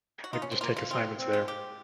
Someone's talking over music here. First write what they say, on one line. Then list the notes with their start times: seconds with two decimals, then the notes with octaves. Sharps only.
I can just take assignments there,
0.24 F#4
0.32 D#4 F4
0.42 C#4
0.52 C4
0.61 A#3 F4
0.77 F4
0.91 C4 F4
1.19 C4
1.33 F4
1.48 G4